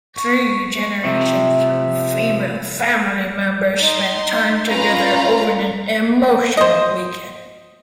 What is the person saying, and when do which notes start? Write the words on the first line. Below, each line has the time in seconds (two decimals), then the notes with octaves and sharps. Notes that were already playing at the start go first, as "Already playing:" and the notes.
Three generations of female family members spend time together over an emotional weekend.
0.15 C#6
1.04 C3 F3 C4 E5
3.78 D#4 C6
4.67 C#4 F4 B4 F5 A#5
6.57 C5 D#5